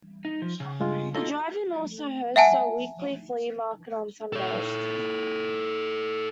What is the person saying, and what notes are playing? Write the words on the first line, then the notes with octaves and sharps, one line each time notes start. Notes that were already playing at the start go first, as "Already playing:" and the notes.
The drive-in also hosts a weekly flea market on Sundays.
D#4
F3
C#3
G2 G#3 F4
D#4 F4 F#4 A4 D#5
E5 F#5 G#5 A5
A4 C#5